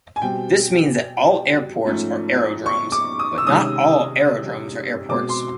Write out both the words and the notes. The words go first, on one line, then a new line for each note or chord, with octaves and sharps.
This means that all airports are aerodromes, but not all aerodromes are airports.
G#5
B2 G3 C4 G5
G#2 F3 A3 C#4
C#6
D6
D#6
E6
C3 D#3 G#3 C#4 D#6
B2 G#3 C4 D6
C6